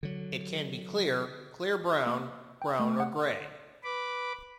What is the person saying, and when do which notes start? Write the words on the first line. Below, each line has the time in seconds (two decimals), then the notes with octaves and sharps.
It can be clear, clear brown, brown or gray.
0.03 D3 F#3
2.06 A#3
2.62 G5
2.80 A3
3.00 F#5
3.84 B4 B5 D6